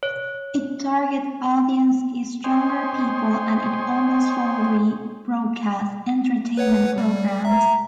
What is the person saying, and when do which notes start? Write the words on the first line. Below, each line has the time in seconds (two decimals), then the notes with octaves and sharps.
It target audience is younger people and it almost solely broadcasts entertainment programmes.
0.03 C#5
2.44 C5 C#5 D#5 G5 G#5 C6
6.57 B4 C#5 F#5
6.98 G3
7.45 E5 A#5